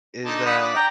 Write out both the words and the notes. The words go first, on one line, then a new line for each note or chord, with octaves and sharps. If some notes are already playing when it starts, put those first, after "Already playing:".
is that
D3 D#4 A5
F#5 B5 D#6
D5
G5 A#5